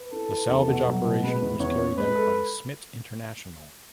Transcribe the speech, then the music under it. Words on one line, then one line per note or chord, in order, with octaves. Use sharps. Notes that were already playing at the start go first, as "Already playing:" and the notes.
The salvage operation was carried out by Smit International.
Already playing: B4
E4 A4
B4
E2
B2
F#3
B2
G#3 B4
E2
E2 C#5
C#4
G#3 B4
A4